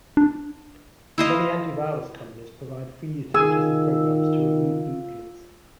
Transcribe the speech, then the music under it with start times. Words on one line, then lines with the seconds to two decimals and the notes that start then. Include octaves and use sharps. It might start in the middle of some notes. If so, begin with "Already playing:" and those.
Many antivirus companies provide free utilities and programs to remove bootkits.
0.17 D4
1.18 E4 C5 D#5 F5
3.34 D#3 F4 G#4 G#5 E6